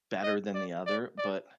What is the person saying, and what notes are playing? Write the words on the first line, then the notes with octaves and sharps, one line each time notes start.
better than the other, but
D#5
D5
D5
D5